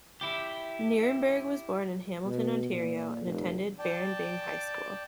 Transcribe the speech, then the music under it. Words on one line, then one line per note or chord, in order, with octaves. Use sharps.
Nirenberg was born in Hamilton, Ontario, and attended Baron Byng High School.
E4 G4
B2
A#2
F1
D5 G5 A5